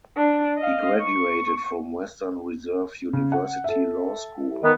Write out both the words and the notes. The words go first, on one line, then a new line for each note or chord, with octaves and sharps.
He graduated from Western Reserve University Law School.
D4
D#5 F5
C#6
C#3
F#5
A4 E5
D#3 B3